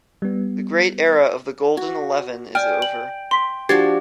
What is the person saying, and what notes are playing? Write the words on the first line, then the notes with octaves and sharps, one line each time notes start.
The great era of the Golden Eleven is over.
G3 B3
F#4
D5 G5 G#5 F6
F#7
C6 B6
F3 D4 F#4 G4 G#6 A6 C7